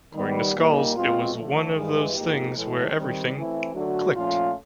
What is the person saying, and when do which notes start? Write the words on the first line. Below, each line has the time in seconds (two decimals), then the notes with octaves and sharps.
According to Scholz It was one of those things where everything clicked.
0.14 D#3 G3 B3
0.54 A#2 G3 A#3 D#4
0.94 B2 G#3 C4 F4
1.34 D3 F3 A3
1.74 G2 E3 G#3
2.14 G#2 F3 A#3 D#4 G4
2.53 A2 E3 G#3
2.93 D#3 G3 C4
3.34 E3 A3 C4 E4
3.73 D3 F#3 A3 D4 F#4
4.13 A#2 F3 A3 C#4 F4